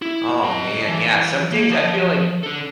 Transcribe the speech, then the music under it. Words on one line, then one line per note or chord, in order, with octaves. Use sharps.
Oh, man, yeah, some things I feel like
E4
D#5 A5
E3
A#3
F3
D4 A4